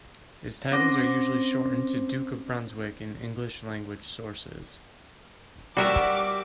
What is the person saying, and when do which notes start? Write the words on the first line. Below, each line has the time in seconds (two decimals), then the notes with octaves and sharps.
His titles are usually shortened to Duke of Brunswick in English-language sources.
0.72 C4 C#4 C5 D6 A#6
5.77 G3 F#4 A#4 E5 D6